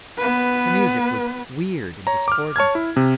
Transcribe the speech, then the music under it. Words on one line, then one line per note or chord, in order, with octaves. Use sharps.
The music was weird and discordant.
B3 B4
C#5 A#5
D6 F6
C#5 A5 F6 G#6
E4
C3